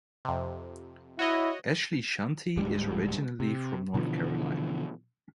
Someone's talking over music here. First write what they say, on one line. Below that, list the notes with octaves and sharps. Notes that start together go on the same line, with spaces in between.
Ashleigh Shanti is originally from North Carolina.
F2 C3
E4 F#4 C#5 D#5
D1 G#2 G3 G#3
C3
B2 D3 E3 F3